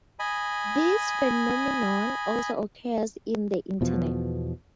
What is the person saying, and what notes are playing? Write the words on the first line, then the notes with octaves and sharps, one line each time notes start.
This phenomenon also occurs in the Internet.
D#5 G#5 B5
E2 B2 F3